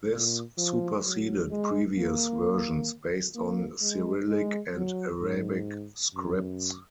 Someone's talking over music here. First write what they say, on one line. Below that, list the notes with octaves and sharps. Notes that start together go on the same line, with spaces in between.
This superseded previous versions based on Cyrillic and Arabic scripts.
A#2
F3
F#3
G#3
A#3
A#3
G#3
G#3
F#3
G#2
F#2